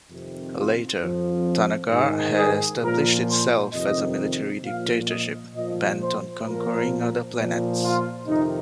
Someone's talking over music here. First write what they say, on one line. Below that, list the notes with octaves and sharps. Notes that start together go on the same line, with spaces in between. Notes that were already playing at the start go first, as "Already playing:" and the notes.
Later, Thanagar had established itself as a military dictatorship bent on conquering other planets.
F2 C3 D#3
F4
F2 F3
G#2 D#3 G#4
G#4
A#2 F3 A#4
C5
F2 C3 D#3 D#5
A#2 F3 F5
D#5
A#2 F3 D#5
C5
A#2 F3 A#4
A#2 F3
F4
F2 C3 D#3 D#4